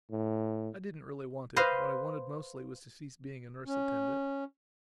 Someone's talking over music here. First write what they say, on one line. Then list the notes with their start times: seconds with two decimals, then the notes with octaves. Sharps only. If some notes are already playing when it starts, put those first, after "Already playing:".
I didn't really want it; what I wanted mostly was to cease being a nurse-attendant.
0.11 A2
1.56 B4 C5 D#5 F5
3.66 C#4